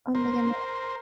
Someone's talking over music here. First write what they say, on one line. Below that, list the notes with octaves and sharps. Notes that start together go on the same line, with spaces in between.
Oh my goodness.
A#4 C5